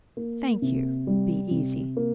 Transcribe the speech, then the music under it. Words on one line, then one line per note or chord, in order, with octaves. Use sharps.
Thank you; be easy.
A#3
C3
G3
C3
A#3